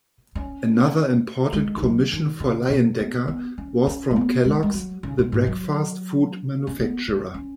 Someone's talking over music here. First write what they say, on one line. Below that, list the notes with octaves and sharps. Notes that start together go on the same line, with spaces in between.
Another important commission for Leyendecker was from Kellogg's, the breakfast food manufacturer.
C#4
G#3
D#3
F#3
D#3
C#3
B2
B3
B3
C#4
C#4
G#3
B3
G#3
G#3
F#3
C#3
B2
G#2
F#3
C#4
B3
C#4
C#4